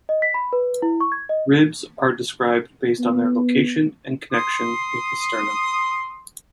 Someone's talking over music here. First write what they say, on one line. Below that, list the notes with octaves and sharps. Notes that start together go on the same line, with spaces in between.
Ribs are described based on their location and connection with the sternum.
D#5
B6
B5
B4
E4
C#6
G#6
D#5
B3
C6 D#6